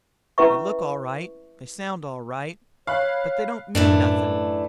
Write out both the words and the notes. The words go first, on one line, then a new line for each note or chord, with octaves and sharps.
They look all right; they sound all right; but they don't mean nothin'.
C#4 E4 B4 E5 C#6
C#5 F5 B5 F#6
F#2 A2 E3 A3 D4